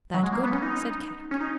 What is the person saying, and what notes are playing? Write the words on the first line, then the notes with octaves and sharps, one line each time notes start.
"That good," said Kadok.
F#3
G#3
A#3
B3
C#4
D#4
C#4
D#4